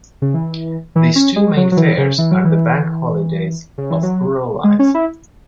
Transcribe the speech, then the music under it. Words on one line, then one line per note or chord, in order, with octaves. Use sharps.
These two main fairs are the Bank Holidays of rural life.
C#3
E3
E3
C#4
G#3
F#3
F#3
E3
C#3
E3
F#3
E3
C#3
E3
F#3
G#3
C#4
E4